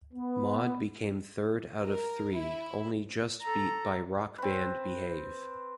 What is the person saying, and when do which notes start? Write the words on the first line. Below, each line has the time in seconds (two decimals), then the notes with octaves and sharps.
Maud became third out of three, only just beat by rock band "Behave".
0.14 B3
1.86 A#4
2.36 E4
3.42 A4 A#5
4.38 C4 B4